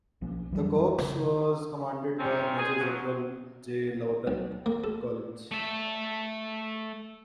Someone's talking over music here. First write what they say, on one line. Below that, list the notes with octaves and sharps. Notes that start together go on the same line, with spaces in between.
The Corps was commanded by Major General J. Lawton Collins.
B1 F3 A#3 C#4
F1 E3 F#3 G3
C#3
D#3 F3 G3 C4 C#4
G#4
F2 F3 F#3
B1
A#3
A4
A3 E5